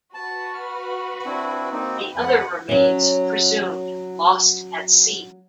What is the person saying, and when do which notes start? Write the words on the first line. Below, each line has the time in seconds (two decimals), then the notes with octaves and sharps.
The other remains presumed "lost at sea".
0.14 F#4 B4 A5
0.55 F6
1.25 C4 D4 E4
1.72 A#3 C4 D#4
2.14 F2 B4 F#5
2.69 F#3 C#4